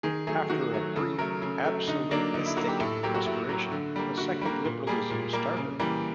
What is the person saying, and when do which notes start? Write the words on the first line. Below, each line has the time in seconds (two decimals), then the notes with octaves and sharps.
After a brief absolutistic restoration, the second liberalism started.
0.03 D#3 G#4
0.27 F#3 A3 G#4
0.50 D#3 F#4
0.73 F#3 A3
0.96 C#3 A4
1.18 F#3 A3 A#4
1.42 C#3
1.64 F#3 A3
1.88 D3 D#4
2.11 F#3 A#3 D4
2.34 D3 D#4
2.46 E4
2.57 F#3 A#3 F#4
2.69 G4
2.80 A2 A4
3.03 F#3 A#3 G4
3.15 F#4
3.26 A2
3.49 F#3 A#3
3.72 D3
3.96 G3 A#3
4.18 D3 F#4
4.41 G3 A#3
4.65 A#2
4.87 G3 A#3 G#4
5.10 A#2
5.33 G3 A#3
5.57 C#3
5.79 E3 G3 A#3